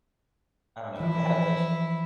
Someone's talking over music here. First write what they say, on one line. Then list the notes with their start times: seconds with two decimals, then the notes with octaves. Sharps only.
I don't know. It had a fish.
1.00 E3 F3 E4